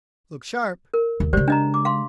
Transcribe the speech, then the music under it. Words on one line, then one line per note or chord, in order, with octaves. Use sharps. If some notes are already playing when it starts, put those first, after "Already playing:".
Look sharp!
A#4
D#2
C#3 G#3 G4 C5 D5
D4 D#5 A#5
D6
F5 C6